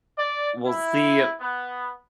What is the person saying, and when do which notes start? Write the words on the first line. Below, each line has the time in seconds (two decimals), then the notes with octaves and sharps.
We'll see a
0.19 D5
0.66 E4
1.41 B3